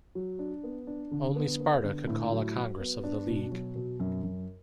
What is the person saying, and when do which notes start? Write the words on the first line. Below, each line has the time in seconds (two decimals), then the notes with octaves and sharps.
Only Sparta could call a Congress of the League.
0.15 F#3
0.39 D4
0.64 B3
0.87 D4
1.11 D3
1.36 B3
1.60 B3
1.83 D3
2.07 A2
2.32 F#3
2.55 F#3
2.79 B3
3.04 D4
3.27 B2
3.52 F#3
3.75 B2
4.00 F#2
4.23 F#2